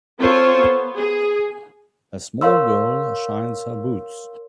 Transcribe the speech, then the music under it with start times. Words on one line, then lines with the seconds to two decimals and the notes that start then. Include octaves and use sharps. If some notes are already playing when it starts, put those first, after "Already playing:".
A small girl shines her boots.
0.20 C4 F4 A4 C5 C#5
0.59 B3
0.97 G#4
2.41 A#4 C#5 F5 C6 E6